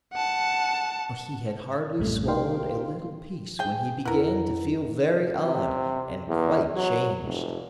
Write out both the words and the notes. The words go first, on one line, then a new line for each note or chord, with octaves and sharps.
But he had hardly swallowed a little piece, when he began to feel very odd, and quite changed.
F#5 A5
A#1 F#2 A2 C3 G3 A3
D#4 G4 A#4 F5 G5 C6
G#4 G5
F2 B3 E4 A#4
C3
E2
F#3
F1